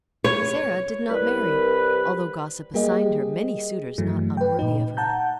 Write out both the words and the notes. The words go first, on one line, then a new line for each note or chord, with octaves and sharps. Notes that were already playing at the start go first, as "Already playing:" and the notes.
Sara did not marry, although gossip assigned her many suitors not unworthy of her.
C#5
C2 G3 B4
G3 A#3 G4 G#4 D#5
G2 E3 F#3 A3
B4 G5
A#2 D#4
F#5 A5 A#5 G6